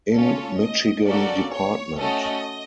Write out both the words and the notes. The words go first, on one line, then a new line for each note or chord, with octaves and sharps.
In Michigan Dept.
C#4 F4 A4 C#5
D#5
A#3 C#4 F#4 A4 D5
C#5
A3 C#4 F#4 A4 D#5